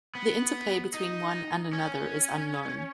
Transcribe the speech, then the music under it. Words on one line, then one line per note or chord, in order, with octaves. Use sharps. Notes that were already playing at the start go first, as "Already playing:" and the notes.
The interplay between one and another is unknown.
B3
D#4
C#4